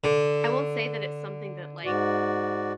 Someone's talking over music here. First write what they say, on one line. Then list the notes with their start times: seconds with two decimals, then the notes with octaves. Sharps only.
I won't say that it's something that, like,
0.04 D3
1.85 G#2 F#4 D5